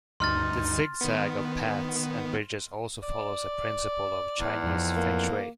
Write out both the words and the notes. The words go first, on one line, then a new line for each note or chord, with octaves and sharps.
The zig-zag of paths and bridges also follows a principle of Chinese Feng Shui.
D2 G2 D#4 C6 F6 A6
D#3 B3
D5
E2
F2
A#3